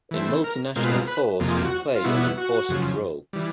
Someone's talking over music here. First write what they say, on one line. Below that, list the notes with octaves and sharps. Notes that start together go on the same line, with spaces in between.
A Multinational Force would play an important role.
E3 A3 C4
A#4
B2 G#3 C4 F4 A#4
B4
A#4
B4
F2 C3 F3 A#3
G#4
G4
F#4
F4
B2 G3 B3 E4 F#4
F#4
F#4
F#2 C#3 F3
E3 G3